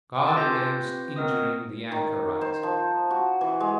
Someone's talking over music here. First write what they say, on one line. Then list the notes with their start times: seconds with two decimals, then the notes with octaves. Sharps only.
Guard against injuring the anchorite!
0.25 G#5 A5 C6 D6 E6 A6
0.36 C4 F4 G4 B4 G6 A#6
1.16 B3 C4 A#4 D#5 D#6
1.92 D#3
2.41 C5
2.63 F3
3.11 F#4
3.41 E3
3.60 G#3